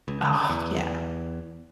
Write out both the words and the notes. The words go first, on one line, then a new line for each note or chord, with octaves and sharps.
Oh, yeah.
C#2
E2